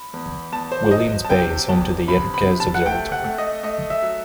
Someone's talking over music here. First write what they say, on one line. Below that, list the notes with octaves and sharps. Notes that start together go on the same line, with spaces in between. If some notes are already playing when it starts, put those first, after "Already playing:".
Williams Bay is home to the Yerkes Observatory.
Already playing: B5
E2
E2 A5
C5
F#3 D#5
A5
C3 G5
E2 A5
C3 B5
B5
C3
A5
F#5
A3 G5
F#5
A3
D#5
A3 D#5
E5
F#3